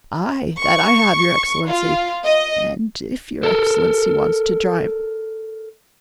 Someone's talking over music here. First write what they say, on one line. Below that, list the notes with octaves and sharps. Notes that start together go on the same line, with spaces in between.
"Aye! that I have, your Excellency, and if your Excellency wants to drive . . ."
C#6
F4
D#5
A4 A#4